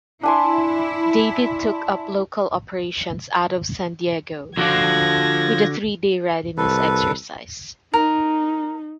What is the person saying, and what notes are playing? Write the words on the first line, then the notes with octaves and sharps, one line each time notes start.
David took up local operations out of San Diego with a three-day readiness exercise.
D4 E4 G#5 C6
D3 F3 F4 F#4 D5 G#6 A#6
C2 A4 B4
D#4 A#4